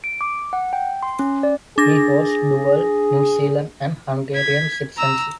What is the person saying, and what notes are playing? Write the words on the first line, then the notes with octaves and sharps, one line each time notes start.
He holds dual New Zealand and Hungarian citizenship.
D7
D6
F#5
G5
C6
C#4
D5
D4 G#4 A#6
G#6 B6
A#5 E6